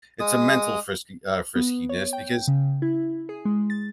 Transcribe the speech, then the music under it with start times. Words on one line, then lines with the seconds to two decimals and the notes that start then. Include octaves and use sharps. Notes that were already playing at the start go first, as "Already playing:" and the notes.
it's a mental frisky uh, friskiness because
0.20 G#3 D#6
1.56 B3
1.89 C#5
2.13 G5
2.48 C#3
2.82 E4
3.29 G#4
3.45 G#3
3.70 A6